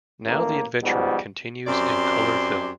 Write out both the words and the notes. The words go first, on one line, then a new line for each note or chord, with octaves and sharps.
Now the adventure continues in colour film.
A1 A#3
G#2 B2 F3 G3
F#2 C4 G4 D5 C6